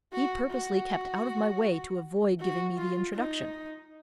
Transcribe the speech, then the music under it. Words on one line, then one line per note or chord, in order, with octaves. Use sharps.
He purposely kept out of my way to avoid giving me the introduction.
F#4
F#4
F#4
F4
D#4